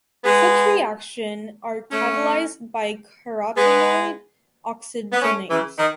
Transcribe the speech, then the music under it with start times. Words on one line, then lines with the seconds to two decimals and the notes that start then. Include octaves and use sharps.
Such reaction are catalyzed by carotenoid oxygenase.
0.24 G#3 B3
1.91 A3 C#4
3.56 G#3 B3
5.12 B3
5.22 A3 C#4
5.50 C#3 E3
5.77 D#3